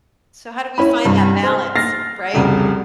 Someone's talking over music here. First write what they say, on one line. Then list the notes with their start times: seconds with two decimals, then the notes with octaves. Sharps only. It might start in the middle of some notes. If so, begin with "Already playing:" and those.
So how do we find that balance, right?
0.78 C#4 E4 B5
1.04 G2 C3
1.43 C5 F6
1.76 F6 A6 A#6 C7
2.34 F1 C2 C#3 G3 F#4